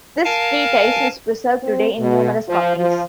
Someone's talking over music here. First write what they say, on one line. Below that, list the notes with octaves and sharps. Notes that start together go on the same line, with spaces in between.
This treatise is preserved today in numerous copies.
A#4 F5 G#5 A5
C4
B2
F3
F3